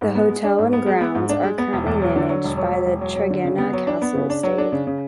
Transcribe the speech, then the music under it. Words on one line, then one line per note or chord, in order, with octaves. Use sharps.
The hotel and grounds are currently managed by the Tregenna Castle Estate.
G#2
B3
G#3
D4
G#2
B3
G#3
B3
G#2
D4
G#3
B3
E1
E2
F#3
D3
F#3
E1
F#3
F#3
E1
F#3
F#3
D3
C#3
B3
F#3
D4
B3
C#3
D4
F#3
D4
C#3
C#3